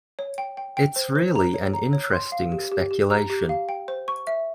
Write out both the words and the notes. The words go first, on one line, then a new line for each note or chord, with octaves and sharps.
It’s really an interesting speculation.
C#5
G5
G5
G5
C5
C5
A#5
C#5
A#5
C#5
C6
F5
G4
G4
G4
A#5
G4
F5
G5
C5
C#6
E5